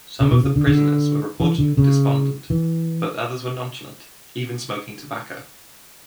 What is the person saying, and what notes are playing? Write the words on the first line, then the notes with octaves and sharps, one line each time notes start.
Some of the prisoners were reportedly despondent, but others were nonchalant, even smoking tobacco.
C#3
B2
C#3
D3
D3
E3
D3
C#3
E3